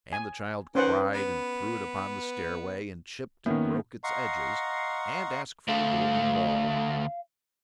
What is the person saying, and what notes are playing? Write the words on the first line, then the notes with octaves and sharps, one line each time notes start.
And the child cried and threw it upon the stairway and chipped and broke its edges and asked for the golden ball.
G#5
D#3 C#4 B4 C5 F#5
B3 B4
D#3 A#3 B3 C#4
D#5 F5 F#5 A#5 C6 C#6
D2 A3 F5